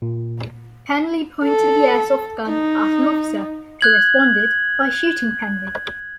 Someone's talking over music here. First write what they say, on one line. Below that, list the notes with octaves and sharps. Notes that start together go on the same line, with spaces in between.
Penley pointed the Airsoft gun at an officer, who responded by shooting Penley.
A#2
A4
D#4
F#6 G#6 F#7